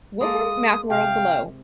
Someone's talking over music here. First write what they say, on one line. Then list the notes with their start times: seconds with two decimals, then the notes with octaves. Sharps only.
Wolfram MathWorld below.
0.21 G#3 A#3 A4 D#6
0.90 C3 F5 G5